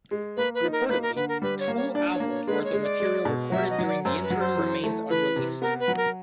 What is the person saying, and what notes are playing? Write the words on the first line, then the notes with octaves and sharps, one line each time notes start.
Reportedly, two albums worth of material recorded during the interim remains unreleased.
G#3
A#3 B4
B4
D#4
A#4
A#3 B4
A#4
D3 B4
A#4
G3 B4
C#5
A#3
C#5
D4 D5
C#5
A#3
C#5
G#3 B4
C#5
G#3
D5
G#3
B2
F#3 E5
D#5
F#3
D5
F#2 C5
B4
F#3
C5
E3
A3
E3 B4
C3
B3 A#4
B4
F#3
A#4